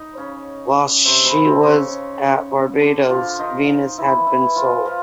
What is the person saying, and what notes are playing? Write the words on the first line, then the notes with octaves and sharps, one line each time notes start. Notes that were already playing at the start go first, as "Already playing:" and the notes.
While she was at Barbados "Venus" had been sold.
Already playing: D#4
C#3 C#4
C3 C4
B2 B3
C3 C4
C#3 C4 C#4
D3 D4
F3 F4
D#3 D#4
E3 E4
E3 E4
F3 F4
F3 F4